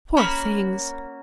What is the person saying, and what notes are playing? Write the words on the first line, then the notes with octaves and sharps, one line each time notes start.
"Poor things!"
A#3 C#4 F#4 B5